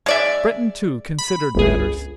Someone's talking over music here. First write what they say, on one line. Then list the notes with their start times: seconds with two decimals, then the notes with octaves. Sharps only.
Breton, too, considered matters.
0.06 G#3 D5 E5
1.19 B5
1.55 G1 C#2 G#4